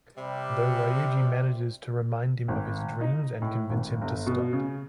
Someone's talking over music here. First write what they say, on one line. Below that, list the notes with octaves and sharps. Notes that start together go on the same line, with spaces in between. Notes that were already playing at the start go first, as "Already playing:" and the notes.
Though Ryuji manages to remind him of his dreams and convince him to stop.
C3 G3
G#1
D#4
A2
G#1
G1
B2
C#3